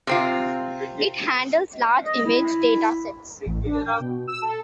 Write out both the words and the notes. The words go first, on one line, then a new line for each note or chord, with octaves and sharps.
It handles large image data sets.
C3 C4 F4
D#5
E4
A1
D4
G5
B2
E6
A4